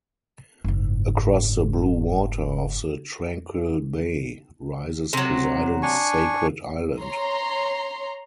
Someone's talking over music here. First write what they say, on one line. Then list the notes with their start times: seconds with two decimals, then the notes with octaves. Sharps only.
Across the blue water of the tranquil bay rises Poseidon's sacred island.
0.64 F#1 G#2
5.13 C3 F#3
5.83 D4 G#5 C#6
7.00 C#5 A#5 C6